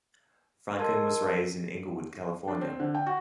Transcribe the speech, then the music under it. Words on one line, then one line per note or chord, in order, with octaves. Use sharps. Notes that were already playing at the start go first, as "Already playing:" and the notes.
Franklin was raised in Inglewood, California.
A#4 D#5 A5 C6 E6 G#6
D4
C4
D3
G5
F#4